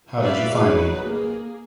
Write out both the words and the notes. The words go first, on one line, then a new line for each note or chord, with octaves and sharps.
How did you find me?
F#4 B4 D5 E5 F5
F#3 D#4 G#4 B4
A#3 G#4